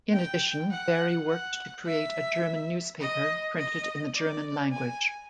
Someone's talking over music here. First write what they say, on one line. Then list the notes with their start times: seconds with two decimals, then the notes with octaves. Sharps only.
In addition, Barry worked to create a German newspaper printed in the German language.
0.13 G5
0.70 F#5
1.27 F#5
1.85 E5
3.00 D#5
3.57 D#5
4.14 D5
4.71 G#5